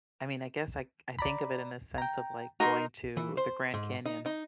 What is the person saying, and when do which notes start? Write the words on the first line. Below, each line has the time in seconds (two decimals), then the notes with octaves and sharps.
I mean, I guess, I I think of it in the sense of, like, going to the Grand Canyon,
1.19 D5 A#5 B5
1.98 G5 A#5
2.60 D#4 F#4 A#4 C6
3.17 E3
3.37 C5
3.74 G#2
4.06 D#4
4.26 D#4